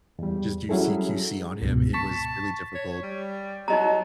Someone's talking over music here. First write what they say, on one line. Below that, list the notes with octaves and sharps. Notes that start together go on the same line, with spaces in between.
just do CQC on him, it was really difficult.
E2 G3
F#3 G3 C#4 E4 G#4 A4
C#2 G#2 B2
A5 C#6 B6
C#5
G3
F#3 D#4 D#5 A#5